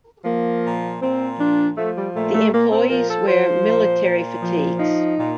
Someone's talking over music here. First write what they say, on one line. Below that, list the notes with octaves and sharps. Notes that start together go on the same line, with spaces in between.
The employees wear military fatigues.
F3 A#3
A#2
A#2 C4
F3 D4
F3 A3
G3
A#2 A3
A3
A#2 A#3
C4
F3 A#4
A4
F3 C5
A#2
A#2
F3
F3 D#4
A#2